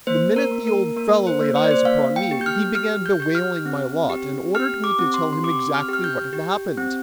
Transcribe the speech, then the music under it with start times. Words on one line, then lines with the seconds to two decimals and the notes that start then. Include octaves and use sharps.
The minute the old fellow laid eyes upon me, he began bewailing my lot and ordered me to tell him exactly what had happened.
0.07 A#3 C5
0.36 A#4
0.51 A#3
0.67 A#4
0.96 A#3 A#4
1.27 C5
1.41 A#3
1.56 C5
1.64 D5
1.71 C5
1.85 A#3 F5
2.16 G5
2.31 G4
2.41 G6
2.46 F6
2.75 G4 F6
3.06 G6
3.20 G4 G6
3.35 F6
3.66 C4
4.10 G4
4.55 G4 F6
4.84 D6
4.99 C4
5.14 C6
5.33 C6
5.44 G4 D6
5.74 F6
5.88 G4 F6
6.04 G6
6.33 G4
6.78 C4